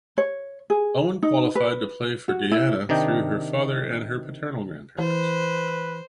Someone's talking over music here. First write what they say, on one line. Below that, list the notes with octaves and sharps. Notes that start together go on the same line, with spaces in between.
Owen qualified to play for Guyana through her father and her paternal grandparents.
C#5
G#4
D#4
B4
F#4
E4
C3 D#3 D4 D#4 G5
E3 B4 C5